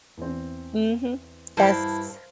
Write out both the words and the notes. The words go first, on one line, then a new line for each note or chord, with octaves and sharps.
Mhm. Yes.
E2 C4
G2 E4 A#4 C5 F5 A5